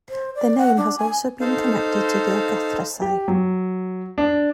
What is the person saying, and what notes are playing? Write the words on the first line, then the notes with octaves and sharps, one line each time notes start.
Their name has also been connected to the Agathyrsi.
C5
D5
F#5
D4
G#5
D#4 A4 C5 F5
G4
F#3
D4